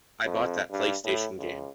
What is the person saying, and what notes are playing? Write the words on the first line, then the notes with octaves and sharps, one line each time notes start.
I bought that PlayStation game.
F2
G2
A2
C#2